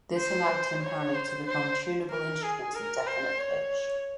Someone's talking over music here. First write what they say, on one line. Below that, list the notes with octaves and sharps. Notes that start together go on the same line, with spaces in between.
This allowed timpani to become tunable instruments of definite pitch.
C5
C#5
C5
C5
A#4
G#4
A#4
C5
C#5